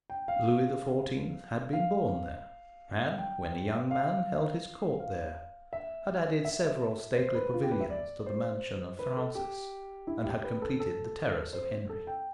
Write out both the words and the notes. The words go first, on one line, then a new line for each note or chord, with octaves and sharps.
Lewis the Fourteenth had been born there, had, when a young man, held his court there, had added several stately pavilions to the mansion of Francis, and had completed the terrace of Henry.
G5
F5
F5
G5
F5
F5
E5
E5
C5
B4
F4
G4
B4
E5
D5
C5
B4
A4
G4
E4
G4
B4
A4
A4
C5
A4
G5